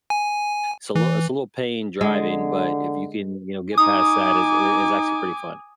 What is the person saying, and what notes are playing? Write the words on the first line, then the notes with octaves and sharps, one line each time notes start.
it's a lit it's a little pain driving, but if you can, you know, get past that, it's it is actually pretty fun.
G#5
E3
D3 G#3
D#4 G#5 D6 D#6